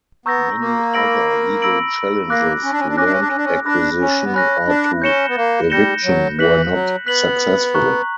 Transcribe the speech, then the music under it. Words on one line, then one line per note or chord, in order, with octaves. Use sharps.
Many other legal challenges to land acquisition or to eviction were not successful.
B3 A#5 C#6 E6 G6 A#6
A#3
B5 E6 A#6 D7 F#7
B5 E6 A#6 D7 F#7
A#3 D6 F#6 A#6
C#4
D4
C#4
D4
C#4 D6 F#6 A#6
D4
C#4
D4
C#4
D4
C#4
D4 B5 F#6 A#6
C#4
B3
C#4 B5 F#6 A#6
D4
C#4 G6 A#6 C#7 E7 G7
B3
A#3
G3 G6 A#6 C#7 E7 G7
F#3
E3 F#6 B6 F#7
F#3
B3 F#6 B6 F#7
A#5 C#6 F#6